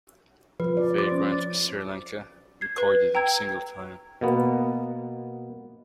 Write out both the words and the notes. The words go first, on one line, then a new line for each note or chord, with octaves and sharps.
Vagrant is Sri Lanka, recorded in single time.
F3 B4
D5
C5 D6 A6
C#4
G#6 C7
B4
G5 A#5 E6 G#6
B2 A#3 B3